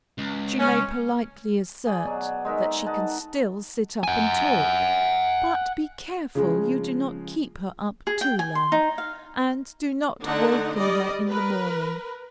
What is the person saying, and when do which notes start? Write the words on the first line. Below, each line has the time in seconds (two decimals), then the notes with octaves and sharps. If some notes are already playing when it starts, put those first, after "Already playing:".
She may politely assert that she can still sit up and talk, but be careful you do not keep her up too long; and do not waken her in the morning.
0.18 C#2
0.60 C#4
1.87 G#4 D5
2.05 B2 F#3
2.45 G#3 D#4 A#4 E5
2.86 D#4 F#5 A5
4.04 F#5 G#5
6.35 C#3 F3 G#3
8.07 G#4
8.21 G5
8.39 G#5
8.55 C6
8.72 D#4
8.98 F5
10.24 D3 A3 D4 D#4 F#5
10.76 G3 D5 D#5
11.29 A#4 B4